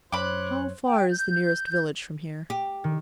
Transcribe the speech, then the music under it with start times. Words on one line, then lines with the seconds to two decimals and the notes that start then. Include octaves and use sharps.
"How far is the nearest village from here?"
0.12 F#2 C5 C#5 B5 D6 F#6
0.85 G5
1.11 G6
2.50 G4
2.84 D#3